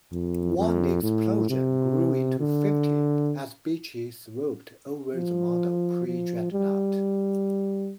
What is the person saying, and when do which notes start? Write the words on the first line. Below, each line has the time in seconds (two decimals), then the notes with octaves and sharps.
One explosion grew into fifty as Beachey swooped over the model predreadnought.
0.12 F2
0.58 F2
1.03 A2
1.49 C3
2.40 D3
5.15 F3
6.07 F3
6.53 G3